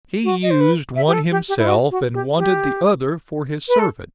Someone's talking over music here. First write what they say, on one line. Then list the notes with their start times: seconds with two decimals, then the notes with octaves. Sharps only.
He used one himself and wanted the other for his servant.
0.24 F#4
0.42 D#5
0.50 C5
0.60 B4
0.96 E5
1.07 G4
1.13 A4
1.31 G4
1.49 G4
1.59 E4
1.67 F#4
1.91 F#4
2.14 G4
2.38 G4
3.68 B4
3.79 A4